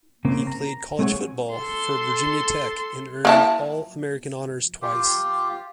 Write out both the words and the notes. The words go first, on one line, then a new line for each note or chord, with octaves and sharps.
He played college football for Virginia Tech, and earned All-American honors twice.
C#3 A#3 C4
A#5
G#3 A3 C4 G#4 C#5 F#5
A4 C6
A#3 E4 A5
F4 G4